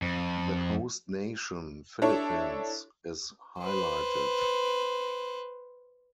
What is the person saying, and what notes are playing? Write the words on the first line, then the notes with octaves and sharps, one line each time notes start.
The host nation, Philippines, is highlighted.
F2
D4 E4 A4 C#5
B4 C5